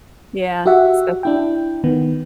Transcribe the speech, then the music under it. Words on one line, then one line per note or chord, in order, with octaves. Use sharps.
Yeah, so
F#4 G4 E5 F#5
D4 E4 G5
D#3 B3